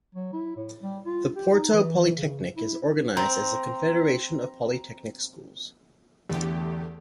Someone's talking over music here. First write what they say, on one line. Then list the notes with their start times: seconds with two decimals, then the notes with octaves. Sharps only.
The Porto Polytechnic is organized as a confederation of polytechnic schools.
0.15 F#3
0.33 E4
0.56 A2
0.82 G3
1.06 F4
1.36 G4
1.53 D#4
1.73 E3
2.17 C#3
2.57 E4
3.17 C4 A#5
6.29 E2 D3 A3 G4